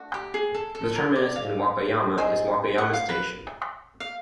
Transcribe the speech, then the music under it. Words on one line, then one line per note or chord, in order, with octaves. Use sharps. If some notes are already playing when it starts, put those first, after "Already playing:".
The terminus in Wakayama is Wakayama Station.
Already playing: A3 D4 F#4
G4
G#4
A4
A4
A#4
D5
F5
G#3 C4 D#4 G#4
F#5
F5
B4
F5